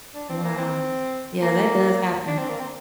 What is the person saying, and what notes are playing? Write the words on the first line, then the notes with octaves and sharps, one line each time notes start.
Wow. Yeah, that does happen.
D4
C4
A#3
C4
A#3
D4
C4
A#3
C4